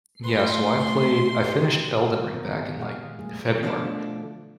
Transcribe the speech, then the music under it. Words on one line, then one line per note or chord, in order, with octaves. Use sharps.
yeah, so I played I finished Elden Ring back in, like, February,
A3 G#4 B4 C6
C#4 F#4
B1 B2 G4
B3 A#4
D#3 G4
A#2 G#3 G#4 F5 F#5
G3 A3 G#4
B2 D3 F3 G3 A3 D4